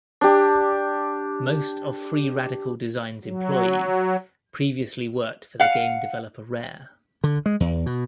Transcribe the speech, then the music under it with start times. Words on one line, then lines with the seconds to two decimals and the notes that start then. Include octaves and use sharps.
Most of Free Radical Design's employees previously worked for the game developer Rare.
0.21 D4 G4
3.24 F#3
5.60 F5 F#5
7.24 D3
7.46 G#3
7.60 E2
7.86 B2